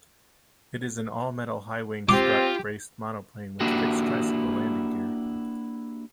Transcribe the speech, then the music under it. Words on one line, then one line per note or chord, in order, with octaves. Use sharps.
It is an all-metal high-wing strut braced monoplane with fixed tricycle landing gear.
C4 F4 G4 D6
A#3 D4 E4 F#4 G4